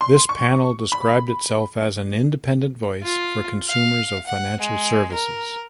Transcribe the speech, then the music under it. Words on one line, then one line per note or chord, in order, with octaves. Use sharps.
This panel described itself as "An Independent Voice for Consumers of Financial Services".
C6
C#6
B5
F4
F5
F#5
G#3
A#4